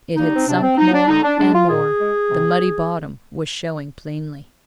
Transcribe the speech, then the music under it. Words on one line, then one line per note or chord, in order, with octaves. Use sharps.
It had sunk more and more--the muddy bottom was showing plainly.
G3 A#3 D#4
C4
C3 D4
C4
F3 A#3 D#4
D4
D3 D#4
D4
G#3 D4
F4
A#2 G#4
G#3
C3